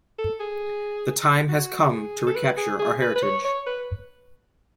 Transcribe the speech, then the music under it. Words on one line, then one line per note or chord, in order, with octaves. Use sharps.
The time has come to recapture our heritage!
A4
G#4
F#4
G#4
A4
B4
G#4
G#4
B4
B4
C#5
C#5
B4